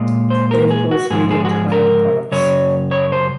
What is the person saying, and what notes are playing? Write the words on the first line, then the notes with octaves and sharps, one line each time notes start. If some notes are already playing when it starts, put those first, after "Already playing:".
It imports medium to high-end products.
Already playing: A#2 G#3
C5
A#4
G#4
F#4
G#2 F3 G#3 G#4
G#4
F#4
G#4
A#4
F#2 C#3 C#5
C#5
C5